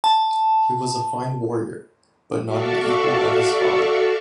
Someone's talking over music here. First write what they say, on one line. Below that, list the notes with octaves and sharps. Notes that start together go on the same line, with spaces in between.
He was a fine warrior but not an equal of his father.
A5
F#4 A4 D5 E5 F5 C#6